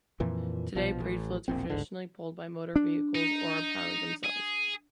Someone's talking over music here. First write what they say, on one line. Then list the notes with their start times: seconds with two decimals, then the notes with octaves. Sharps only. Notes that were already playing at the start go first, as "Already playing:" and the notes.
Today, parade floats are traditionally pulled by motor vehicles or are powered themselves.
0.20 F2 A#2 E3 F3
0.75 A#1 B2 F3
1.00 A1
1.48 E1 A#1 C4
1.70 G1 C#2 G#2 D3
2.76 D4
3.15 D#4
4.24 G#4